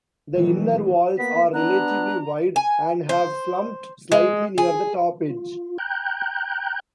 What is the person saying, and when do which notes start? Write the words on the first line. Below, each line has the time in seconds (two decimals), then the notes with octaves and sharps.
The inner walls are relatively wide, and have slumped slightly near the top edge.
0.34 B2 D#3 E3 F#3 A3
1.18 A#3 B3 B6
1.54 B3 D4 A#5 F#6
2.56 G#5
3.09 C5
4.12 G#3
4.58 G#4
5.30 F4
5.78 G5 A#5 F#6 G6